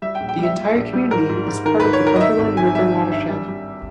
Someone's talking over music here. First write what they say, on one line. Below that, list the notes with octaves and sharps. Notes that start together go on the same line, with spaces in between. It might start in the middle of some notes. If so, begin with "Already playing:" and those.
The entire community is part of the Cumberland River watershed.
G3 E5
G5
A#1
G5
G3 E5
A#2
A#1
G3
G#2 A#4
G#2
G#2
D#3 A#4
G#2 B4
C#5
D#3 A#4
D#5
D#3 E5
G#1
D#3 G#5
G3 E5
D#3
G2 E5
G3
G3